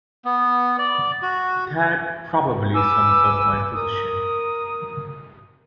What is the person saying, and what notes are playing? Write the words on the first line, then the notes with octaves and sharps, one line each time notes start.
That probably sums up my position.
B3
D5
F#4
B4 G#5 D6 E6
A#4 D#6